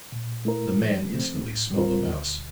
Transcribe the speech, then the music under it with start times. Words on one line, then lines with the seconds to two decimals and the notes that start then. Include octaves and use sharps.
The man instantly smelled a mouse.
0.12 A#2
0.45 A3 E4 A#4
0.77 F3
1.10 A3 C4
1.42 A2
1.75 G3 C4 F4 A#4
2.08 D2